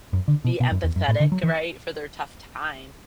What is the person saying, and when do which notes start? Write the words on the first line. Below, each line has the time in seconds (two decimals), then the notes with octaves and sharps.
be empathetic, right, for their tough time.
0.13 F#2
0.28 D3
0.45 B2
0.60 B2
0.72 F#2
0.84 E2
0.96 F#2
1.08 A2
1.20 D3
1.32 F#3
1.43 E3